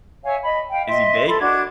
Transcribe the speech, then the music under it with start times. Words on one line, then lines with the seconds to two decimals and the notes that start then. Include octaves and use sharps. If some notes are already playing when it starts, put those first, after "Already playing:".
is he big?
0.23 C#5 E5 F5 G#5
0.42 D#5 B5
0.69 F5 G5
0.88 D#5 E5 C6
1.27 A4 B5 C6
1.40 D4 F#4 D6 G#6